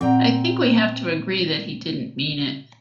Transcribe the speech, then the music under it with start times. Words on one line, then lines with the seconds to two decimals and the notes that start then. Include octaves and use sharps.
I think we have to agree that he didn't mean it.
0.01 A#2 C4 D5 F#5 G5 A#5